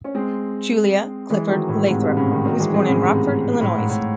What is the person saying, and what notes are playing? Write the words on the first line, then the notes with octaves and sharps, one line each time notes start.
Julia Clifford Lathrop was born in Rockford, Illinois.
C#4
G#3 C4
E3 G#3
D#3 F#3
A2
G#2 C3
G#2 C3
A2 C#3
C3 D#3
D#3 F#3
E3 G#3
G#3 C4
A2 C#3
G#2 C3
A2
G#2
A2